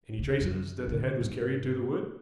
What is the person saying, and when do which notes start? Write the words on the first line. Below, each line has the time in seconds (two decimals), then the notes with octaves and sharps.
"Any traces that the head was carried to the wood?"
0.19 C#3
0.41 F#2
0.87 D3 D4
1.21 G#2